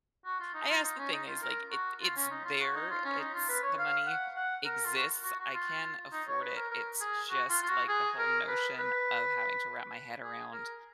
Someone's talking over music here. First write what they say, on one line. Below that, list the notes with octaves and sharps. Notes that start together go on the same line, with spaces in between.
I guess the thing is, like, it it's there, it's the money exists, I can afford it, it's just, like, the whole notion of having to wrap my head around,
F#4
F4
D#4
F4
D#4
C#4
D#4
F4
A#4
F#4
F4
C#4
D#4
F4
F#4
D#4
F4
C#4
D#4
F4
B4
C#5
F5
F#5
F#5
A#4
F4
F#4
F#4
F#4
F4
D#4
C#5
B4
A#4
A#4
G#4
F#4
F4
F4
F#4
G#4
A#4
B4
B4
G#4
A#4